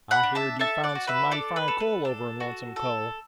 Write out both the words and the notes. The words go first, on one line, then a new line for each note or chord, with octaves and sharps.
"I heerd you found some mighty fine coal over in Lonesome Cove."
F#5 B5
D4
E5 A5
A4 E5 A5
D5 F#5
F#4
B4 E5
D4 A4 D5
B4
A4
B4
D4 A4
F#4
A4